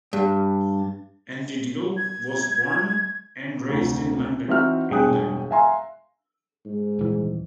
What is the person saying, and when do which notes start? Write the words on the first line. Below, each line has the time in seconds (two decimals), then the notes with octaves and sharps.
Andy Diggle was born and raised in London, England.
0.13 G2
1.97 G#6
3.69 F1 D2
4.48 E3 C4 D#4 F#4 E5 F6
4.90 E1 G2 G#4 G5 D#6 F#6
5.51 E5 F5 G#5 A#5 C6
6.65 G#2
6.99 D#1 E3